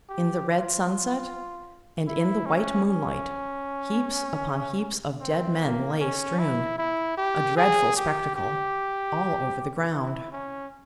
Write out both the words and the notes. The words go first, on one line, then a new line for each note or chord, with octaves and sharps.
In the red sunset, and in the white moonlight, heaps upon heaps of dead men lay strewn, a dreadful spectacle, all over the ground.
G4
F4
E4
C#4
C#4
C4
A#3
C#4
E4
E4
G4
G#4
G4
G4
E4
C#4